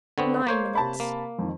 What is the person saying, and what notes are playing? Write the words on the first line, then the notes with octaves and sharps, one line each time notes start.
Nine minutes.
D3 B3 C4 C#6
A#3 C5 C#5
C3 A5 B5
A#3
F2 D#3